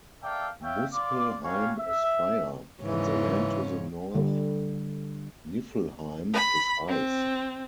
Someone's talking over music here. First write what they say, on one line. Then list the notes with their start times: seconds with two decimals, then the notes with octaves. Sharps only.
Muspelheim is fire; and the land to the North, Niflheim, is ice.
0.23 A#3 A4 D5 E5 F5 G5
0.62 C#5 E5 F5 G5
0.93 D5 F5 C6 D6
1.43 G3 C#4 F#4 C#5 F5
1.78 E5
2.83 G#2 C#3 E3 C#5
4.15 D3 G3
6.33 B5
6.88 C4